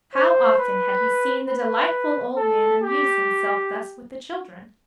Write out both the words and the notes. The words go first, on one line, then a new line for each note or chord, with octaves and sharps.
How often had he seen the delightful old man amuse himself thus with the children!
C5
B4
B4
A4
G4